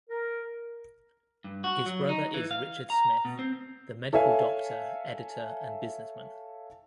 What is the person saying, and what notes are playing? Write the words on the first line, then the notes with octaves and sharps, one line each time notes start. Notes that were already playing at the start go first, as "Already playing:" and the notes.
His brother is Richard Smith, the medical doctor, editor and businessman.
A#4
G2
F#4
F#3
D#4
E3
F5
A#5
B2
C4
A4 C#5 E5 F5 G#5